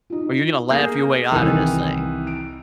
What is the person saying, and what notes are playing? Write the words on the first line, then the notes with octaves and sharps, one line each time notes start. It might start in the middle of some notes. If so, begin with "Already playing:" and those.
or you're gonna laugh your way out of this thing."
D#4 F4
A#3 G#4 F5 G6
C2 C3 D#3 E3
D7